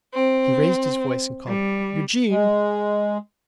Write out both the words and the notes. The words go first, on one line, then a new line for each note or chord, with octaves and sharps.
He raised his voice and called 'Eugene!
C4
G3
G#3